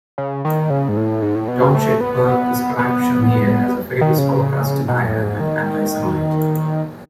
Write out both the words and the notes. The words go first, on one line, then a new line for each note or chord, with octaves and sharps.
Domscheit-Berg described Shamir as a famous Holocaust denier and anti-Semite.
C#3
D#3
C#3
G#2
A2
G#2
A2
B2
C#3
A3
B3
B3
D#3
C#3
B2
A2
G#2
D#3